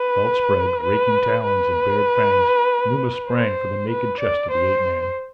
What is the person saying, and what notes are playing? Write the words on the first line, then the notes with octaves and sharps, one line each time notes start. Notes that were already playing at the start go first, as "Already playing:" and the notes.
With outspread, raking talons and bared fangs Numa sprang for the naked chest of the ape-man.
Already playing: B4
B4
B4
C5
B4
D5
C5